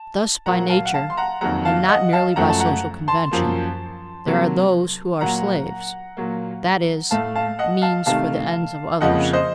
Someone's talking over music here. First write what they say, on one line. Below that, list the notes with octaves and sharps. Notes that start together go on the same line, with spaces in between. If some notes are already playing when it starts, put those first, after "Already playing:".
Thus by nature, and not merely by social convention, there are those who are slaves--that is, means for the ends of others.
Already playing: A5
A#2 F#3 A#3 F#5 A#5
F5 A5
F#5
F5 A5
C6
F#5 A#5
F2 D#3 F#3 A#3 F#5 A#5
F5 A5
D#5 F#5
F5 A5
F#2 F3 A3 F#5 A#5
A5
F#5 A#5
A5 C6
F#2 F3 A#3
C3 F#3 A#3
A#2 F#3 A#3 F#5 A#5
A#2 F#3 A#3
A2 A3 F5 A5
F5 A5
D#5 F#5
F5 A5
C3 D#3 A3 F5 A5
F2 C#3 F3 A#3 D#5 F#5
C5 D#5